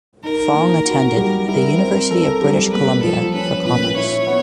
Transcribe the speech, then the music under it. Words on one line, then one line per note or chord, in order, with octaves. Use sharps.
Fong attended the University of British Columbia for commerce.
D#4 A#4
A#3
F#4
G3
E4 A#4
C4
A4
G3
A#3 B4
F3 A4
C#4 B4
A#2 B4
E4 C#5
B3